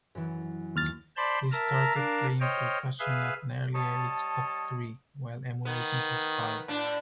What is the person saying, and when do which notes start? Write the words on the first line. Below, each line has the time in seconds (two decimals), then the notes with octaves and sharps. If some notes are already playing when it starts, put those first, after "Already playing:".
He started playing percussion at an early age of three while emulating his father.
0.15 F#2 E3
0.76 D#2 F6 A6
1.17 C5 D5 A5 B5 C6
1.52 A#4 E5 A5 A#5
1.95 D4 A#4 F5 A5
2.40 C5 C#5 D#5 G5 F6
2.99 G#4 B4 E5 F5
3.75 G3 C#5 D#5 A5
5.65 D#3 B3
6.68 A2 D4